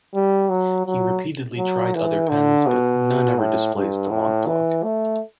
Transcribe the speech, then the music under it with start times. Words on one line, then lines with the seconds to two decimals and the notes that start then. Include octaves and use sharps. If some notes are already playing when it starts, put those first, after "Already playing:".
He repeatedly tried other pens, but none ever displaced the Montblanc.
0.14 G3
0.50 F#3
0.86 F#3
1.58 F#3
1.94 E3
2.30 D3
2.67 B2
3.38 A2
3.75 G2
4.10 A2
4.47 E3
4.83 A3